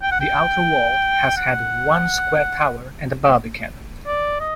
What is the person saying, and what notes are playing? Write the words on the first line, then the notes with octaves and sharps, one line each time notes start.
The outer wall has had one square tower and a barbican.
G5
F#5
G5
F#5
D5
D#5